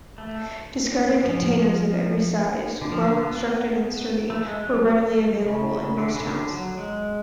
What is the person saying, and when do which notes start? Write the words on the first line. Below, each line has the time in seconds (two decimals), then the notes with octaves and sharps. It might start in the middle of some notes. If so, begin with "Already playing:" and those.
Discarded containers of every size, well-constructed and sturdy, were readily available in most towns.
0.18 A3
1.23 F3
2.81 D3
2.92 F3
3.02 D3
3.22 B3
4.30 A3
4.40 G#3
4.66 F#3
5.46 C#3
5.72 C#3
5.98 D3
6.14 C#3
6.25 D3
6.50 F#3
6.77 G#3